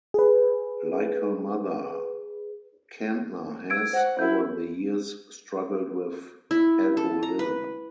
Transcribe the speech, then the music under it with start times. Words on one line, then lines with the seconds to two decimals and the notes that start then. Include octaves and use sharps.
Like her mother, Kantner has, over the years, struggled with alcoholism.
0.14 G#4 B4
3.70 E6 G#6 D7
3.93 C5 F#5
4.19 E4 G6
6.51 E4
6.97 A4
7.23 A#5
7.39 B4